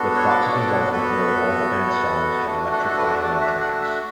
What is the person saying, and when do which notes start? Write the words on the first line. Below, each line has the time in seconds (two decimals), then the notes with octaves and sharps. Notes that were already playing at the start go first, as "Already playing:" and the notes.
With Fox's involvement, nearly all of the band's songs had electric violin tracks.
Already playing: B3 D4 F#4 A4
0.16 C#5
0.29 D5
0.41 C#5
0.54 D5
0.67 C#5
0.92 B3 F#4 A4 B4
2.38 B4
2.46 A3 D4 F#4 A4
2.72 A4
2.88 A4
2.97 B4
3.23 D5
3.41 E5
3.61 F#5
3.81 E5